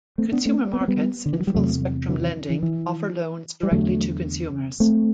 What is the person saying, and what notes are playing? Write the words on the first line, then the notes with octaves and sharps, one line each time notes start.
Consumer Markets and Full Spectrum Lending offer loans directly to consumers.
A3 C4
B3 D4
A3 C4
B3
C4
G3 B3
D3
E3
F#3
G3
E2 C3 F#3 A3
D3 F#3
E3
E3
E3
G3
E2 D3 F#3 A3
A3 C4